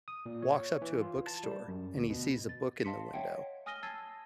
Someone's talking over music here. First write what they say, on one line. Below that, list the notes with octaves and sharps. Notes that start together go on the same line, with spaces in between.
walks up to a bookstore, and he sees a book in the window,
D#6
A#2
C#5
E3
F4
A5
G3
F#2
D2
B2
A6
D#5 F5 A5 C6 B6 C#7
C#5 E5 F#5 G5
G#5 D#6 F6 A#6 D#7 G7
A5 E6 G#6 A6 C7 D#7